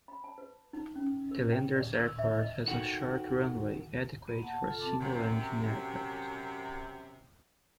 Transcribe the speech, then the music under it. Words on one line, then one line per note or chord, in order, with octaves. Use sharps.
The Landers Airport has a short runway, adequate for single engine aircraft.
B5
A5
B4
D#4
C#4
A#4
G5
D5
E6
E5
D#5
D#4 F#4 A4 A#4 F#5 G5
A#3 B3
F#5 A5
F4 A4
C4 A5 D6
F#2 C3